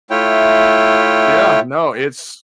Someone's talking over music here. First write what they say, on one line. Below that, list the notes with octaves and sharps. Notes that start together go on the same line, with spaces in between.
Yeah, no, it's
A3 E4 F4 C#5 G5